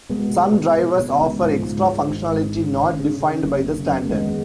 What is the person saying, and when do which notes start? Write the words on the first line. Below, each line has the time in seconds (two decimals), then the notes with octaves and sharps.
Some drivers offer extra functionality not defined by the standard.
0.09 B2 G#3 B3
0.33 B2
0.55 B2
0.77 B2
0.99 B2
1.21 C#2
1.43 G#2 F3
1.66 G#2
1.88 G#2
2.11 G#1
2.32 G#2
2.55 G#1
2.77 C#3
2.99 C#3
3.21 C#3
3.43 F#1
3.66 C#3
3.88 F#2
4.09 D#2 G#3 B3